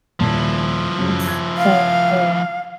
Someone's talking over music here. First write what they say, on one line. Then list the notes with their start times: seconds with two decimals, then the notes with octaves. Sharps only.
That's so cool.
0.20 D#1 A#2 F3 E4 A5
0.99 F#2 C#3
1.28 G#6
1.58 F5